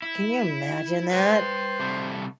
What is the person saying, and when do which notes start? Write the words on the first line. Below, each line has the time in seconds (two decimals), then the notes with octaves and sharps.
Can you imagine that?
0.02 E4
1.11 B4 C5 G5
1.80 C3 G3 A3